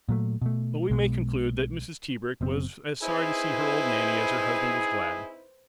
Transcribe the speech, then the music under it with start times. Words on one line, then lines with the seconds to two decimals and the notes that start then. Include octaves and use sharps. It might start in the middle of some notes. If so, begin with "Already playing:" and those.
But we may conclude that Mrs. Tebrick was as sorry to see her old Nanny as her husband was glad.
0.09 A#2 F#3 A3
0.41 B2 A3
0.90 B1 B2 G#3
2.41 F#1 B2 C4
3.02 C4 D#4 E4 G#4 B4 C5